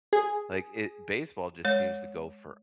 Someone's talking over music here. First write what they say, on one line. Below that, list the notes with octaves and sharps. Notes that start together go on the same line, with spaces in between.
like, it baseball just seems to go for
G#4
G#3 C#5